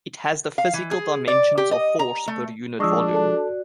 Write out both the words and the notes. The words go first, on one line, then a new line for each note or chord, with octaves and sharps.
It has the physical dimensions of force per unit volume.
F5
E3
G#4
D5
G4
D#5
A#5
A3
F3 G#3 D4 C#6 D#6 E6
F#4 A4 D5 A5